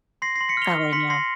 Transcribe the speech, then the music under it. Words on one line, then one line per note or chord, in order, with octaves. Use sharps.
Oh, I know,
C6 A#6 C7
A#6 C7
C6
B6 C#7
F6 F7 G7
F6
C6 B6 C#7
C6 A#6 C7